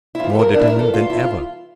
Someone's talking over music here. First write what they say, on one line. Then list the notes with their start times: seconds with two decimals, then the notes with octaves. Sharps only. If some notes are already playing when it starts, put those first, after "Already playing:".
"More determined than ever."
0.15 E4
0.19 F2 F4
0.24 E3
0.30 G4
0.35 A4
0.39 A#4
0.54 D4
0.59 E4
0.70 A#4
0.79 G2 E3 A4
0.94 F4
1.10 E4
1.19 F4